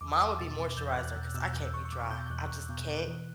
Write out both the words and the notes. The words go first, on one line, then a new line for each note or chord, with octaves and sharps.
Mine would be moisturizer 'cause I can't be dry. I just can't
E2 D6
E6
E2 D6
B2 A6
B2
E2 G6
E2 F#6
B2 E6
B2 E6
E2 G6
E2 C#6
C#6
B2 D6
B2 G6
G6
E2 F#6
E2
B2
B2
E3